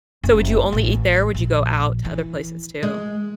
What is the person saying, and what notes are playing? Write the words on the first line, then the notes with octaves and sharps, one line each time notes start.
So, would you only eat there or would you go out to other places too?
F#1
A1
A#1
E3
G#3